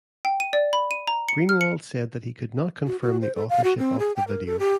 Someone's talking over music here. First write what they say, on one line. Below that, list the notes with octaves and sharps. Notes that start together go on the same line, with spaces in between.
Greenwald said that he could not confirm the authorship of the video.
G5
D#7
D5
B5
D#7
A#5
C#7
F6
C#7
F#4
F#4
C5
A4
F5
F#4
C4
G#4
G5
A#4
A4
G4